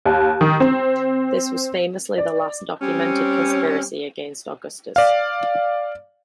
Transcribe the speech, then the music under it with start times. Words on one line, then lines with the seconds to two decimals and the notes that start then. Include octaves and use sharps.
This was famously the last documented conspiracy against Augustus.
0.06 D#2
0.41 D#3
0.60 C4
2.18 D5
2.81 G3 C4 C#4
4.96 D5 F5